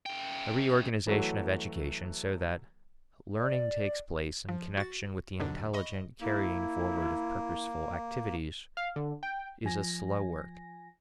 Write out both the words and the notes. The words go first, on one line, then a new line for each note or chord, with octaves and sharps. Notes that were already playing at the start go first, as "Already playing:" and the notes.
A reorganization of education so that learning takes place in connection with the intelligent carrying forward of purposeful activities is a slow work.
F#2 G5
E3 F#3 A3
D5
F3
F#4 A6
D#2 B2 D3 F#3 D4
D#5 B5 C#6
A#3 E4
F5
D3
G5
F3 G#5 A#6